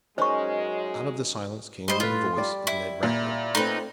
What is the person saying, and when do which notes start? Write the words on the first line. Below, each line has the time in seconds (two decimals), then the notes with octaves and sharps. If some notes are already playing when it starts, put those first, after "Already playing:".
Out of the silence came the voice of Ned Rector.
0.18 F#2 G#3 C#4 D#4 A#4 C5 C#6
1.88 G3 C5 D#5
2.00 A2 F4 B4
2.37 G3 D5
2.67 E4
3.03 A#2
3.55 A3 C4 D#4 B4